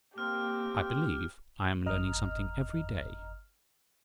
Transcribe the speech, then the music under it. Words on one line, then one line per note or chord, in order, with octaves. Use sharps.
"I believe I am learning something every day."
A#3 C4 G4 F6
G1 F2 D#5 A#5 F6